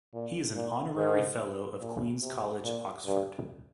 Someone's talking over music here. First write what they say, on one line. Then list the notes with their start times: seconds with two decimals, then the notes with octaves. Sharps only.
He is an Honorary Fellow of Queen's College, Oxford.
0.14 A#2
0.55 A#2
0.96 G#2
1.80 A#2
2.22 C3
2.64 A#2
3.06 G2